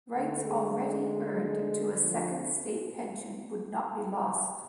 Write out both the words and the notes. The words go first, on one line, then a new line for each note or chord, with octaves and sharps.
Rights already earned to a Second State Pension would not be lost.
D2 D3 A3
G#3
F3